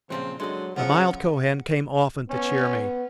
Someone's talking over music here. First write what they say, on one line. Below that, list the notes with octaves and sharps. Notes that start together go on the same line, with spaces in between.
The mild Kohen came often to cheer me.
A#2 C#3 F3 F#3 C4
D3 F#3 G#3 D#5
C#3 F3 F#3 F#5
B3 C#4